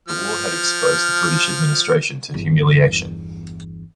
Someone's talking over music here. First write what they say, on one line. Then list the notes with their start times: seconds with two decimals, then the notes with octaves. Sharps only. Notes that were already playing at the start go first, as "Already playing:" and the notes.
The war had exposed the British administration to humiliation.
0.08 F3 F6
2.34 G1 E2